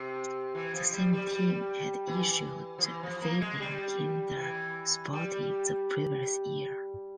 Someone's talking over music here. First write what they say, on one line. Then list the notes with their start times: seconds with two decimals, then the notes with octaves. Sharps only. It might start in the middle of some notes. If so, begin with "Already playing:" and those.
The same team had issued "Feelin' Kinda Sporty" the previous year.
Already playing: C3
0.55 E3
0.73 F3
0.93 G3
1.13 G3
1.32 G3
2.07 E3
2.78 F3
2.84 E3
3.03 F3
3.22 A#3
3.41 G#3
3.60 G3
4.36 E3
5.13 G3